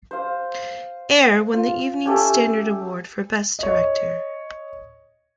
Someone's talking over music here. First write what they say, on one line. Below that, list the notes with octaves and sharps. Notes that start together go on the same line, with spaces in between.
Eyre won the Evening Standard Award for Best Director.
C5 F5
F4
C#4 G4 A4 E5
C#5 D#5